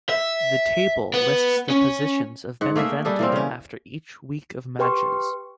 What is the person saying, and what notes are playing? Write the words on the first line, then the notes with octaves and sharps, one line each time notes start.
The table lists the positions of Benevento after each week of matches.
E5
B3
C#4
G#2 F#5
A3 A#3 G#4 E5
G3 D4 G#4 A4
E3 A#3 C4
C#3 C#4
G4 B4 G5 C6 C#6